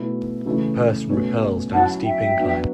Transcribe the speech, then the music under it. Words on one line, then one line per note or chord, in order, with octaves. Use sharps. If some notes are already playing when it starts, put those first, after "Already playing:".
A person rappels down a steep incline.
Already playing: B2 A3 E4
C#3 E3 A3 C#4 E4
B2 A3 C#4
F#3 C#4 E4 F#5 A5
E5 G5
F#3 B3 D4